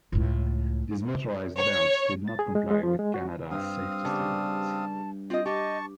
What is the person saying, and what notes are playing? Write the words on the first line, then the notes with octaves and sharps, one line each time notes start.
These motorized belts did not comply with Canada's safety standards.
C#2 A2
C#5
A6
G#4
G#3
G#3
F3
G#3
F#4
G2 C4 F5 D#6
C#3 G3 B3 A5
C4 F4 D#5
G4 D#5 A5 C#6